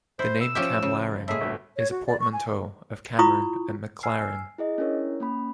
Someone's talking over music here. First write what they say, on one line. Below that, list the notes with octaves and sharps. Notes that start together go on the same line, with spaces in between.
The name "Camlaren" is a portmanteau of Cameron and McLaren.
E4 C5
E6
F3 C#4 G4 E5 G6
C#3
A2 G#3 A#3 G#4 E5
G1 D2
C#5
F#4
D5
C#6
G#5
E4 F4 B5 C#6 D#6
G#5 E6 F6 C7
E4 G#4 D#5
C#4 D4 E4 A#4 C#5
A#3 C#4 B5